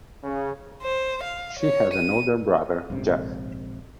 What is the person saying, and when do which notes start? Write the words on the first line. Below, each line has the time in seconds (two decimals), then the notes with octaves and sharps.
She has an older brother, Jeff.
0.23 C#3
0.82 C5
1.24 F5
1.60 C#5
1.94 D#7
2.90 A#1 G#2 C3